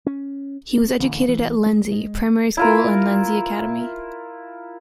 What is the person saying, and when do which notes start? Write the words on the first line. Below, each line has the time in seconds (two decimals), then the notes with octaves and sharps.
He was educated at Lenzie primary school and Lenzie Academy.
0.06 C#4
0.77 B3
1.00 A1 D3
1.28 E3
1.66 G#3
1.92 G#3
2.57 E4 F4 A#4